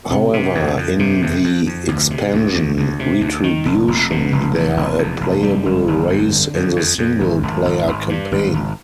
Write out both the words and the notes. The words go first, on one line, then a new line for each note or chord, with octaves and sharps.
However, in the expansion "Retribution", they are a playable race in the single-player Campaign.
C3
C3
F2
F2
C3
F2
F2
F2
D2
C3
D2
D2
D2
C3
D2
D#3
F1
F1
B2
F1
E2
F1
E2
F1
G3
G1
G1
F2
D3
F2
F2
F2
G#1
G#1
G#1
G#1
G2
G#1
G#1